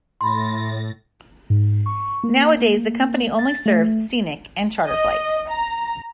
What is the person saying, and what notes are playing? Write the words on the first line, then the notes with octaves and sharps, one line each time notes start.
Nowadays, the company only serves scenic and charter flight.
A2 B5 C6 A6 A#6
G#2
C#6
A#3
A6
A3
D#5
A#5